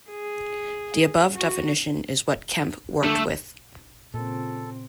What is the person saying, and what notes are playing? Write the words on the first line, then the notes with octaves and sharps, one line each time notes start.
The above definition is what Kempe worked with.
G#4
F#4
D3 A3 A4
A#2 C#3 C4 A4